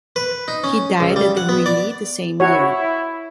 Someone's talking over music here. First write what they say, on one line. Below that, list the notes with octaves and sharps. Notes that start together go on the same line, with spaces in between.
He died at Reuilly the same year.
B4
D#4
C#4
C#2
G3
F#5
B3
D5
E4 F#4 C#5